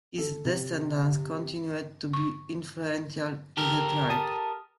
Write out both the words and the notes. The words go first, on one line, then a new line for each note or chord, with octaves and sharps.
His descendants continued to be influential in the tribe.
A4
C3
C#6
G4 A4 A#4
A5 D#6